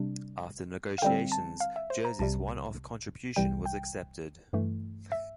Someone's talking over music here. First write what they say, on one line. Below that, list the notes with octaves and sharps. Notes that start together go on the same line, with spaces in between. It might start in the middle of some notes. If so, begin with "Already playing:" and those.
After negotiations, Jersey's one-off contribution was accepted.
Already playing: C3 G3 D4
F5
D3 G3 C4 G5
A5
F5
E5
C5
A#5
C2 C3 G3 A5
C2 C3 E3 G3 G5
G5
G2 E3 A3
E5